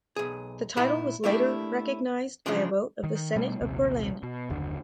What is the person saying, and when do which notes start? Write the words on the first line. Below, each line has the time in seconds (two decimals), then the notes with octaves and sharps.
The title was later recognised by a vote of the Senate of Berlin.
0.16 B1 G#4
0.77 A#2 B3 E4 A5 B5
1.24 A3 A#3 D4 E4 G4
2.46 C#3 F3 F#3 G#3 D4
3.04 D#3
3.36 B2 G3 A3 B3
3.61 A#1 D#2 C3
4.23 B2
4.50 F#1 D#2 D3